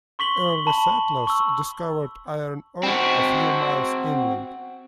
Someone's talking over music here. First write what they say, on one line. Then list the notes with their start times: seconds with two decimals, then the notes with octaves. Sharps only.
Early settlers discovered iron ore a few miles inland.
0.19 C6 C#6 B6 F#7 G7
0.67 A5 B5 F#7
1.27 C#6 E6
2.83 C4 F#4